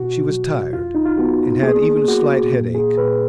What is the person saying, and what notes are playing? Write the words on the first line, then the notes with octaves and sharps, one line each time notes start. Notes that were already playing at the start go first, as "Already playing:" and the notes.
She was tired, and had even a slight headache.
Already playing: B2 F#4
F#3
F2 F4
D#4
F4
B3 F#4
A#3 G#4
A#3 F#4
A#2
G#4
A#2 B4